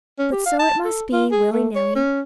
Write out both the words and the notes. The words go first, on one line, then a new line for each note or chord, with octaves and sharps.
But so it must be, willy-nilly.
C#4
G4
F5
A5
A4
F4
G#4
A3
C#5
C#4